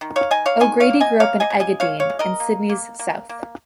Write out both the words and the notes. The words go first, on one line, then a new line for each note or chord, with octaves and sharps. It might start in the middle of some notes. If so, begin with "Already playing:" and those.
O'Grady grew up in Engadine, in Sydney's south.
D#3
C#5 F5
D#3 D#5 G#5
C#5 F5
D#3 D#5 G#5
C#5 F5
A#3
D#5 G#5
A#3 C#5 F5
D#5 G#5
C#3
D#5 G#5
G#3 C#5 F5
C#5 F5
G#3
A#4 D#5
A#3
A#3
A#3
A#3